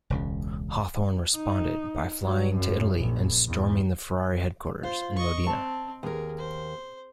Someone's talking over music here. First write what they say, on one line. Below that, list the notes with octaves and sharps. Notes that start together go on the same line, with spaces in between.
Hawthorn responded by flying to Italy and storming the Ferrari headquarters in Modena.
E1 C#2 C#3
D#4
F#3
F#2
A#1
E2
F4 C5
D#5 C#6
C4 A5
D#2 G#4 A#4
C5